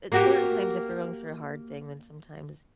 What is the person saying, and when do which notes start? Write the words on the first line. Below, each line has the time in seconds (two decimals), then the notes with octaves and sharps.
at certain times, if you're going through a hard thing, then sometimes,
0.12 A#3 F#4 G4